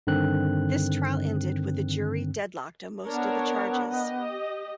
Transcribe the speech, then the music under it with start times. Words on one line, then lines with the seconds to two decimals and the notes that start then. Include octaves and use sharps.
This trial ended with a jury deadlocked on most of the charges.
0.07 G2 D3 D#3 C4 F#6
3.07 B3 D4 A#4 C#5
3.92 G4 D#5